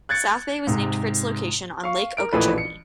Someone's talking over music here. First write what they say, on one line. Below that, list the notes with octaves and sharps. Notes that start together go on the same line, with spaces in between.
South Bay was named for its location on Lake Okeechobee.
F#6 G#6 A6 C#7
G#2 C3
F5 C#6
A#4 D7
A1 A#2 E3 F3 A3 B4
C#7